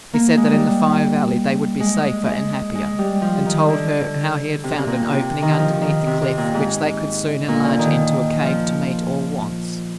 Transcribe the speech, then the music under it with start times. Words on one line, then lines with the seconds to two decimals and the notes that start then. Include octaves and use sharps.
He said that in the Fire Valley they would be safer and happier, and told her how he had found an opening underneath the cliff which they could soon enlarge into a cave to meet all wants.
0.14 A#3
0.37 G#3
0.53 G3
1.80 G#3
2.26 G#3
2.75 G#3
2.99 G3
3.22 F3
3.46 D#3
3.68 D3
4.64 C3
4.71 D3
4.78 C3
4.87 A#2
5.12 C3
5.42 D#3
5.59 F3
5.82 D#3
6.07 C3
6.22 C3
6.38 A#2
6.54 G#2
7.48 A#2
7.63 D3
7.79 D#3
8.42 F3